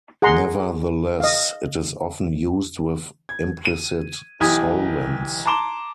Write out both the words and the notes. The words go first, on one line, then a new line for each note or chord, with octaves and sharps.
Nevertheless, it is often used with implicit solvents.
G#4 F#5 A#5 C6
D#5 F5
G#6
D#7
B1 E3 G4 G#5 D#6 G#6
A5 A#5 C6 D6 E7 G7